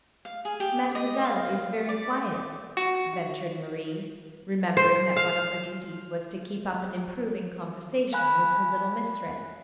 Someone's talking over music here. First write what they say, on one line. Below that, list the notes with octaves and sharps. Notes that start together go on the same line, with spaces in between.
"Mademoiselle is very quiet," ventured Marie, remembering that one of her duties was to keep up an improving conversation with her little mistress.
F5
G#4
G4
D#5
F5
D5
F#4
C5
F5
F5 G#5 B5 F#6